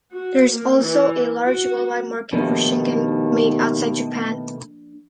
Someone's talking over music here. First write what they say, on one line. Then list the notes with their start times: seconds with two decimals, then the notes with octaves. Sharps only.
There is also a large worldwide market for "shinken" made outside Japan.
0.13 F#4
0.51 A#3
0.81 E3
1.45 F#4
2.33 D#2 B2 D#3 F3 A3 A#3 D4